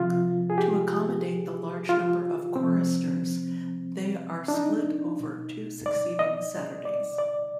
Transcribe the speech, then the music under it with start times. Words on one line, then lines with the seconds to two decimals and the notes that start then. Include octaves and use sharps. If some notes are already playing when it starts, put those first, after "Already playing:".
To accommodate the large number of choristers, they are split over two succeeding Saturdays.
Already playing: C3 F3 F4
0.50 G#4
0.58 G4
1.89 F4
2.56 C3 F3 C4
4.48 D4
4.54 D#4
5.20 B2
5.86 D5
6.19 D#5
6.85 D5
7.18 D5